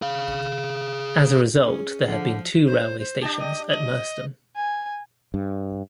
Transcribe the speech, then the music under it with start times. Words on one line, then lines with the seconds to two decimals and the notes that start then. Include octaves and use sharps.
As a result, there have been two railway stations at Merstham.
0.02 G#4 F5
1.68 C#4 G#4
2.07 D3 F3
2.67 C5
2.99 C5
3.22 D4 G4 A5
3.38 D#5
3.69 D#5
4.57 G#5
5.34 G2